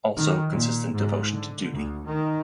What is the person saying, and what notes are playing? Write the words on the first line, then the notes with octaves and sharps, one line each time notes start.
Also consistent devotion to duty"".
D#3
A#2
G#2
D3
D2
D#3